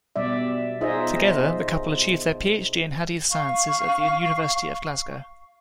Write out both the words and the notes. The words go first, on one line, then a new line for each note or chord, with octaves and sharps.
Together, the couple achievhed their PhD in Hadeeth Sciences at the University of Glasgow.
B2 G3 D5 E5
D#4 F4 G#4 C5 D#5 E5
F5 C#6